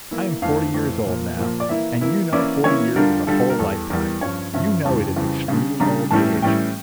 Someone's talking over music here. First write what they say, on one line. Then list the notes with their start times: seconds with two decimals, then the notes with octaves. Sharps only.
I am forty years old now, and you know forty years is a whole lifetime; you know it is extreme old age.
0.11 E3 A#3 E4
0.42 F2 E3 A3 F5
0.74 F2 E3 A3
1.06 A#2 F3 A#3
1.37 A#2 F3 A#3
1.60 D5
1.68 E3 A#3 E4 E5
2.01 E3 A#3 E4
2.33 E3 A#3 C#4 E4 D5
2.63 E3 A#3 C#4 E4 C#5
2.95 D3 G3 D4 F4 A#4
3.27 D3 G3 D4 F4 A4
3.50 A#4
3.59 E2 E3 G3 A4
3.90 E2 E3 G3 A#4
4.21 G2 F3 C#4 C#5
4.54 G2 F3 C#4 E5
4.85 F2 C#3 E3 G3 A5
5.16 F2 C#3 E3 G3
5.48 C#3 G3 D4
5.80 C#3 G3 D4 A#5
6.11 A2 E3 G3 C#4 E4 A5
6.42 A2 E3 G3 C#4 E4 G5